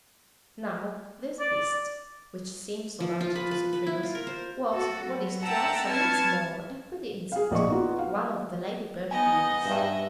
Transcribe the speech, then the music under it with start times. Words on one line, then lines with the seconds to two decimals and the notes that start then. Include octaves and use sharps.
Now this beast, which seemed so large to Citrinus, was what is to us a very small and pretty insect, one of the lady-bird beetles.
1.40 D5
3.00 F3
3.21 F4
3.36 B4
3.51 B4
3.73 B4
3.87 E4
4.03 F4
4.15 A#4
4.27 C5
4.73 F#4 A4
5.05 F#3 B3
5.43 E5 F#5 G5 A5 A#5 E6
5.86 C4 B4 A5 C#6 F6 G#6
7.32 G#4 F5
7.51 A#1 D5 D#5 C#6
7.70 B3 D#4 F4 F#4
7.99 F5
9.11 B3 D#4 D#5 F#5 G#5
9.65 G2 E5